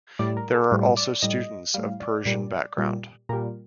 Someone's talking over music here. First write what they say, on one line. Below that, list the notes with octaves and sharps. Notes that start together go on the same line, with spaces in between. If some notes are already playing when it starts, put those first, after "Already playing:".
There are also students of Persian background.
A2 G3 D5
A#4
A4
A2 G3 F4
D5
A2 G3 D#5
A2 G3 F5
D5
A#2 G3
A#2 G3
A#2 G3 A#4